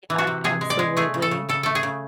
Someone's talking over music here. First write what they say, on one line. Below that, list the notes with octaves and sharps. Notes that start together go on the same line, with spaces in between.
Yeah, absolutely.
E3
F#4
C3
C3 G#4
G#3
D5
G#3
A3 G#4
C#3
A4
C#3
C#3 A4
A3 A4
G#4
C#3